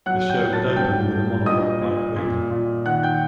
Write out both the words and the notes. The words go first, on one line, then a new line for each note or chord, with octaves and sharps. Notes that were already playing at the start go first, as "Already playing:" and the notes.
The show would open with a monologue by Quinn.
F#3 F#5 F#6
G5 G6
F#3
A5 A6
G2 G5 G6
G2
A#2 D#5 D#6
A#2
A#2
A#2
D#3 F#5 F#6
G5 G6